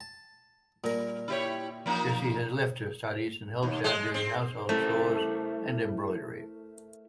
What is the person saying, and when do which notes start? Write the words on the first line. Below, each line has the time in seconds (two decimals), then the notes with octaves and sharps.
Jessy has left her studies and helps out doing household chores and embroidery.
0.01 A5
0.84 A#2 G3 A#4
1.28 E4 G4 C#5
1.86 F3 A#3 D#4
3.63 D#2
3.84 G#3
4.14 C4
4.69 A3 E4 A#4 C5